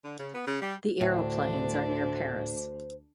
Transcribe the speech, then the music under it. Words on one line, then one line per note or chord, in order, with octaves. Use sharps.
The aeroplanes are near Paris.
D3
C#3
B3
C#3
G3
D2 A2 D3 D4 C5